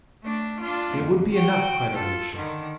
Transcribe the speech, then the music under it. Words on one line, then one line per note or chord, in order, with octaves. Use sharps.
"There would be enough!" cried Alyosha.
A3 D4
D4 F4
F2
F#4 G5
F4 A4
D3 D#3